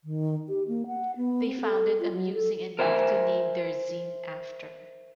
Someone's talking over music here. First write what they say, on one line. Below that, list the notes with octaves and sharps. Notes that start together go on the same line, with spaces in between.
They found it amusing enough to name their zine after.
D#3
G4
A#3
F#5
B3
C4
A4
F4
F#3
A4
A#4 C5 E5 G5 G#5